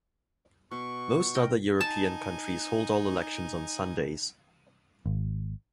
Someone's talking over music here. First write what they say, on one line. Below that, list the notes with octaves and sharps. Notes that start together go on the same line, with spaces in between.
Most other European countries hold all Elections on Sundays.
B2 C#6
A#4 G5 A#5
D#4 G#5 A5
G#1